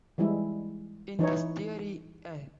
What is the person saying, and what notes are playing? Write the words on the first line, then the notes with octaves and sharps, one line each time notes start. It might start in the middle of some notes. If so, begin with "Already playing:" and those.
In this theory I.
E3 G3 G#3 E4
E3 D#4 E4 C#5